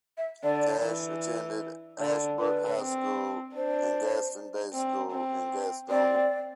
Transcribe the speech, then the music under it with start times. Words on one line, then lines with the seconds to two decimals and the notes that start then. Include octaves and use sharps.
Cash attended Ashbrook High School and Gaston Day School in Gastonia.
0.18 E5
0.44 D3 D5
0.83 E3
2.00 D3
2.39 D3 B4
2.79 C4
3.56 D4 C5
4.74 C4
5.12 C4
5.90 C4 D5